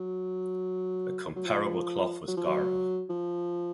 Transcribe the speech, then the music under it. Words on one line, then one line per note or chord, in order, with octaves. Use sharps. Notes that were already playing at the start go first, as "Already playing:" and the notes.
A comparable cloth was garha.
Already playing: F#3
F#3
F3
F#3
F3
F#3
F3